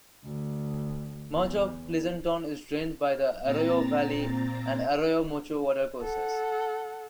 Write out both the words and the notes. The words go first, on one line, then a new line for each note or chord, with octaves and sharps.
Much of Pleasanton is drained by the Arroyo Valle and Arroyo Mocho watercourses.
D2
E2
A#2 C4 A#5 A6
A4 F#5